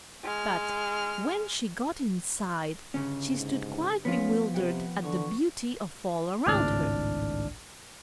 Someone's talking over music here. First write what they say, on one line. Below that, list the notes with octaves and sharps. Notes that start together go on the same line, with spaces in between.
But when she got inside, she stood quite bewildered at the beauty of all around her.
G#3 F6
G1 C#3 C#4
G#2
F3 B3 C#4 F4 F#5
C3 B4 F#5 G5
D3 C#6
G#1 C#2 A2 D4 D5 F6